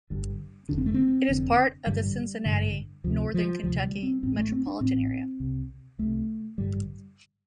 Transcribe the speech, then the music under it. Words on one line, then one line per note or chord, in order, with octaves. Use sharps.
It is part of the Cincinnati-Northern Kentucky metropolitan area.
G1 G2 D3
F1 F2 D3 D4
C4
A3
C4
F1 F2 D3
A1 G2 D3 G3
A1 G2 D3
D2 C3 F3
F3
D2 C3 F3
G3
C4
A1 A2 C4
A3
C4
D4
A1 A2 C4
C2 C3
C2 C3 A3
A1 G2 D3 G3